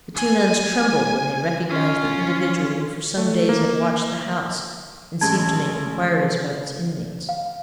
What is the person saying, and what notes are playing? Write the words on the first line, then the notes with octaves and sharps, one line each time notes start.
The two nuns trembled when they recognized the individual who for some days had watched the house and seemed to make inquiries about its inmates.
G#5
C#4 F4
A3
A#3
A1 G#3 A5 G#6
F5